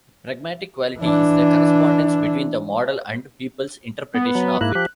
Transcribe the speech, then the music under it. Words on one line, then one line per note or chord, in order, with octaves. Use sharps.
Pragmatic quality is the correspondence between the model and people's interpretation of it.
E3 D4
B3
F#3
G#2 A#3 E4 F#6
F3 G4